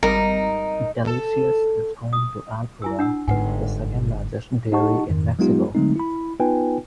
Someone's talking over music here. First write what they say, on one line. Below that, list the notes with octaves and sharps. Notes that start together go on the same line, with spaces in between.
Delicias is home to Alpura, the second largest dairy in Mexico.
G#1 G3 D#4 A#4
A4
D#6
E4 G#5 E6
D4 F#5 E6
G1 G#2 B4 F#5 G#5
D#4 G4 D#5 F#5 A5 C#6
F2 D#3
F#3 G#3 B3 D#4 F4 G4
D3 F#3 G#3 A3 C4 D#4
E4 B5
B3 D#4 F4 B4 G5 G#5